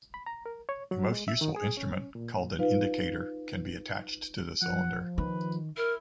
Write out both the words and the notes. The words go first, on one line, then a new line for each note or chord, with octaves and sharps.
A most useful instrument, called an indicator, can be attached to the cylinder.
B5
A#5
A#4
C#5
F#3
G#3
E5
D#3
G#4
C#4
A#2
D#4 F4 B4 F5
F3 F#5
D#3 B4
E4 A#4